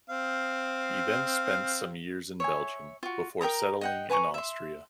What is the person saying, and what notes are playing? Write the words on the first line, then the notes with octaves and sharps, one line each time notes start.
He then spent some years in Belgium, before settling in Austria.
C4 F5
C#5 E5 G#5
F4 F#4
A#4 G5 A#5 D#6
D#5 F#5 G5
B4 G#5 A#5 C#6
E5 C6